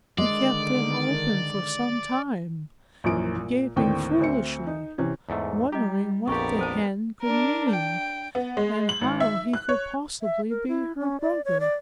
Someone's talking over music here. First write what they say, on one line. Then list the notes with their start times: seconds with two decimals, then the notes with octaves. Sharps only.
He kept them open for some time, gaping foolishly, wondering what the Hen could mean, and how he could possibly be her brother.
0.18 D3 D#3 G#3 D5
3.04 A#1 F#2 A#2 E3 D7
3.35 A#2
3.76 D#2 A2 D3 C4 G5
4.21 D2 C4 E5 C#7
4.67 D#4
4.98 C3 E3 C#4
5.29 E2 G#2 A3
5.72 G3 E4 G4 D#5
6.28 A#1 F2 B3 G4 A#4 D5 C#6
6.59 A4 C5 A5
7.22 D4 A#4
7.69 G5
8.35 B3
8.57 G#3
8.89 F#7
9.01 G#1
9.20 E5
9.53 F#6
9.69 C#5
10.22 E5
10.50 A#4
10.68 E4
11.00 C#4
11.21 D5
11.45 C#5
11.60 D5